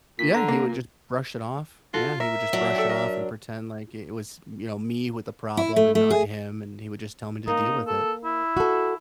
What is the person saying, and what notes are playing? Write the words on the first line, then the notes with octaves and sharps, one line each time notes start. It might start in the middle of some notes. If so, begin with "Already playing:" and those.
Yeah, he would just brush it off. Yeah, he would just brush it off and pretend like i it was, you know, me with the problem and not him, and he would just tell me to deal with it.
A#2 B6
D3 A#5
A#3
A#2
F4 F#4 A4
A#4 E5
F#3 D4
A4 G5
A#4
E4
A3
A3
G#4
A#3 D#4
A4
E4
F#4 A4